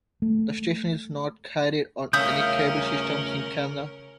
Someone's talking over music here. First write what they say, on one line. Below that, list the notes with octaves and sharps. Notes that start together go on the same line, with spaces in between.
The station is not carried on any cable systems in Canada.
A3
C#3 A3 C#4 A#4 E5 F5 D#6 G6